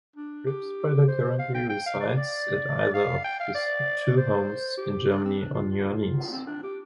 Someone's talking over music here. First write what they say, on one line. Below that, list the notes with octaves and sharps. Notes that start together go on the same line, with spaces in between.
Ribspreader currently resides at either of his two homes, in Germany and New Orleans.
D4
G4
C5
F5
G5
G5
F5
D5
D5
F5
G5
F5
D5
C5
G4
D4
C4
D4
F4
F4
C4
D4
G4